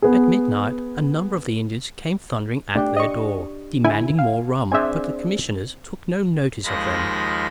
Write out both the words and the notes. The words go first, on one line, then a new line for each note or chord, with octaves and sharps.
At midnight, a number of the Indians came thundering at their door, demanding more rum; but the commissioners took no notice of them.
B3 G#4
A3 D4 G4 G5
D#5 C#6
D3 E4 G#5
F5
C4 D4 G#4 E5 G#5
D#2 F3 G#3 B5 A#6